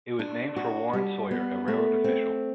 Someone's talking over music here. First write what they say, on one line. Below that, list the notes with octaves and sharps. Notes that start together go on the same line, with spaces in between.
It was named for Warren Sawyer, a railroad official.
D4
F#4
G3
B3
A3
C4